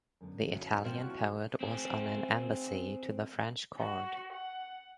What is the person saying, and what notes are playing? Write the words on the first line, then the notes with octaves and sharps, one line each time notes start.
The Italian poet was on an embassy to the French court.
F#2 D3 B3
D2 F#3 A3
A#2 F3 C4
D#3 C#4 E4 F#4 C5
C4 G#4
F#4
F#5